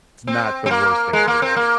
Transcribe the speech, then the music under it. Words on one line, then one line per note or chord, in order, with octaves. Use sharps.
it's not the worst thing in the world.
C4
C4
A#3
G#3
A#3
C4
A#3